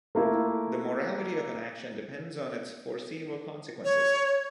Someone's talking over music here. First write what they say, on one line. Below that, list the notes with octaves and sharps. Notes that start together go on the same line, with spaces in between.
The morality of an action depends on its foreseeable consequences.
A3 A#3 E4 F4 A4
C#5